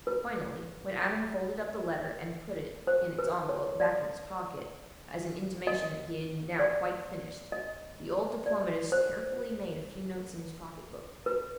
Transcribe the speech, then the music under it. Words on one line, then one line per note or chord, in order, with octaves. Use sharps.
Finally, when Adam folded up the letter and put it, in its envelope, back in his pocket, as an intimation that he had now quite finished, the old diplomatist carefully made a few notes in his pocket-book.
B4
C5
B4
C#5
D5
D#5
D5
D#5
D5
C5
B4